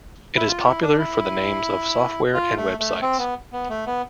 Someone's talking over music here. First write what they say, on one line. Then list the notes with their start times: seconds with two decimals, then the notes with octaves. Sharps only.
It is popular for the names of software and websites.
0.36 E4
0.48 F4
0.65 E4
0.82 D4
0.99 E4
2.34 F4
2.57 A3
2.80 A3
3.02 C4
3.19 B3
3.53 B3
3.69 A3
3.87 B3